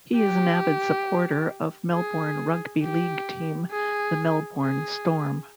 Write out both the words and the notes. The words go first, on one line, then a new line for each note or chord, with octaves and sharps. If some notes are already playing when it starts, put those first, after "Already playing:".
He is an avid supporter of Melbourne rugby league team the Melbourne Storm.
G4
G#4
G4
G#4
G#4